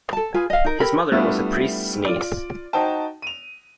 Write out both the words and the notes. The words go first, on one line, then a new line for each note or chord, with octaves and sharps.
His mother was a priest's niece.
A4 A5
F4 G#4 B4 G#5
D#5 F5
D#4 A#4
G4 A4 A#4 B5
G3 A3 B3 D4 E4 F4
F4 D5
D#4 F#4 C5 G5 A5
D#7 F7